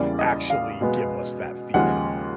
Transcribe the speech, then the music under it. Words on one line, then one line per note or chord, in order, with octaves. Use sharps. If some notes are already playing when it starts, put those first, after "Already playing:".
actually give us that feeling.
Already playing: E2 C#3 E3 G3 A#3 D5
D#5
F5
B2 G#3 B3
D#2 C#3 F3 G#3 F#5